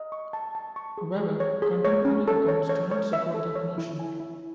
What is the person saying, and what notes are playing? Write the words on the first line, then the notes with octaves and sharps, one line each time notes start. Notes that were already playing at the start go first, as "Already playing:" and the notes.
However, contemporary accounts do not support that notion.
Already playing: D#5
C#6
A5
A5
C#6
G#4
G#4
C#5
G#4
C#5
C#4
A4
C#5
C#5
C#5
E5
A4
C#5
E4
G#5
E4